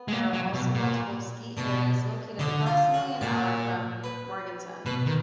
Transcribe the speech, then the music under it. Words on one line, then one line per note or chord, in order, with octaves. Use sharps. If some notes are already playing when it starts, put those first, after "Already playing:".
There are also multiple ski areas located approximately an hour from Morganton.
Already playing: B3
G#3
A#3
F#3
B2
A#2
B2 D4
D3 D#4
F4
F#4
A#2 D5
B4
B2 B4
D#3